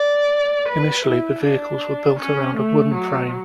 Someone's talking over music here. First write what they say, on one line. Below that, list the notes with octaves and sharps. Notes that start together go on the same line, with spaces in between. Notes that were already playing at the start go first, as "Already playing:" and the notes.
Initially the vehicles were built around a wooden frame.
Already playing: D5
B4
E4
D4
C#4
A3
F#3